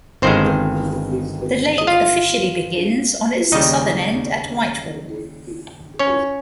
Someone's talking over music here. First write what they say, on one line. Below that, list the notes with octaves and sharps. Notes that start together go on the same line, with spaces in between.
The lake officially begins on its southern end at Whitehall.
G1 G2 D#3 G#3 C4 C5
D#5
F4 F5
D#2 C#3 G3 D#4 D#5
C#4 C#5